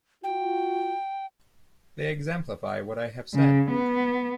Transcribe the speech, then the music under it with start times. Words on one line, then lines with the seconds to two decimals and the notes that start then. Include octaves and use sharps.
They exemplify what I have said.
0.24 F4 F#4 G5
3.34 C#3
3.71 B3